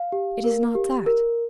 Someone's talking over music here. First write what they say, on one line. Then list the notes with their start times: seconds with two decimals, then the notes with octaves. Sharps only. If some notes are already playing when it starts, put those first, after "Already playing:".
"It is not that."
Already playing: F5
0.12 G4
0.44 A#4
0.75 G4
1.06 A#4